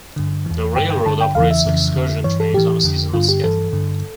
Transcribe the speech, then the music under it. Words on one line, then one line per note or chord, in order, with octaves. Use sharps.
The railroad operates excursion trains on a seasonal schedule.
G2 D3
E2 E3
G2 D3 G5
G5
G2 D3 A5
G5
E2 C#3 E3 F5
E5
F2 C#3 E3
F2 D3
G2 E3 C#5
A4
A2 E3 G4
F2 D3
G2 D3 F4
G4
G2 E3 A4
G2 D3